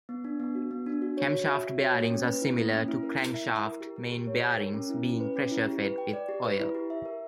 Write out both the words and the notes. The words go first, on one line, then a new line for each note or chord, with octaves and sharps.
Camshaft bearings are similar to crankshaft main bearings, being pressure-fed with oil.
B3
D4
B3
F#4
B3
D4
F#4
C#5
F#4
E5
F#4
C#5
A#3
C#4
B4
E4
A#3
C#4
E4
A#4
E4
E5
E4
A#4
G4
A#4
G4
C#5
G4
A#4
C#4
E4
C#4
B4
C#4
E4
G4
B4
G5
D5
G4
B4
E4
G4
E5
A#4